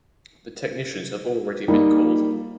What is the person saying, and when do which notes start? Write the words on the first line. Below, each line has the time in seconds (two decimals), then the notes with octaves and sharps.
The technicians have already been called.
1.68 G3 A#3 D#4